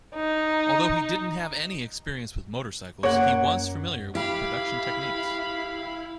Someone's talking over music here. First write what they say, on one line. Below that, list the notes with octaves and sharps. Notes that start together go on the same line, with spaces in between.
Although he didn't have any experience with motorcycles, he was familiar with production techniques.
D#4
F#2 A#3 C#5 F#5
E4 G4 F5 B5